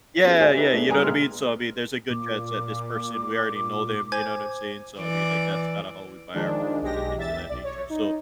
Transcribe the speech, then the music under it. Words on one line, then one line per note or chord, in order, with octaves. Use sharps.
Yeah, yeah, you know what I mean, so I mean, there's a good chance that this person we already know them, you know, what I'm saying, so, I mean, like, that's kinda how we buy our homes and things of that nature, so,
B3 C#4 F#4 G#4
G#3 F#4 C5 D5 E5 G#5
D#4 G4 B4 E5
A3 B3 D4 G#4
G3 B3 G#5 A#5 D#6
A#1 G#3 C6 F6
A#2 D6
C5 G#5 G#6
E3 D5
D#3 F3 G#3 D4
B1 G#3 G4 A#6
E2 E5 A6
B1 D5
C#5
D#4